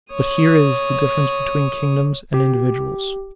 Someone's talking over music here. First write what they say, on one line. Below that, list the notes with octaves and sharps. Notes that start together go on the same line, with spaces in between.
But here is the difference between kingdoms and individuals.
C#5 D#6
G4